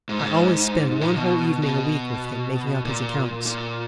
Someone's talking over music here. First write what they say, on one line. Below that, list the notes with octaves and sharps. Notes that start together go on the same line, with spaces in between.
I always spend one whole evening a week with him making up his accounts.
G#2
A#2
G#2
A#2
B2
B2
A#2
A#2